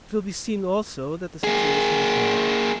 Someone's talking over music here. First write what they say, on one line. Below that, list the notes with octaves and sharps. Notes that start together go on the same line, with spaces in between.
It will be seen also that the situation was novel.
A#3 G#4